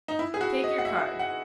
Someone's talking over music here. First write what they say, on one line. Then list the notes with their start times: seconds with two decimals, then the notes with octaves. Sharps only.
Take your cards.
0.08 D#4
0.19 E4
0.34 G#4
0.41 F#4
0.64 D#5
0.78 F#5
0.85 E5
1.19 F#5